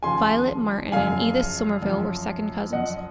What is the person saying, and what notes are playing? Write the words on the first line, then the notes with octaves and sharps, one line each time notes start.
Violet Martin and Edith Somerville were second cousins.
D#2 C#3 F3 G#5 C6
F#2 C#3 F3 F5 G#5
F#2 F3
F#2 F3 D#5 F#5